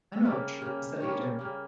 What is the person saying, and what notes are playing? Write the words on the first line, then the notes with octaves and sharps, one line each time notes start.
Manoj is the leader.
E5
C#3 G3 A#3 D5
C#3 G3 A#3
C#3 G3 A#3 C#5
C#3 G3 A#3